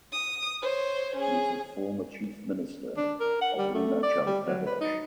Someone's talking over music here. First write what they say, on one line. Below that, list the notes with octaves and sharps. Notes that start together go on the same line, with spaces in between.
He is a former Chief Minister of Arunachal Pradesh.
D#6
C5 C#5
C#4 G#4
D4
A#4
F#5
G3
A3
D5
G3
F#3
B4
D#4